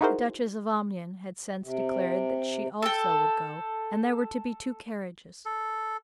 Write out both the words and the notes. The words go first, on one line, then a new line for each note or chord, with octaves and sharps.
The Duchess of Omnium had since declared that she also would go, and there were to be two carriages.
D#4 E4 F#4 G#4 A#4 C5
C3
A4 G5
A4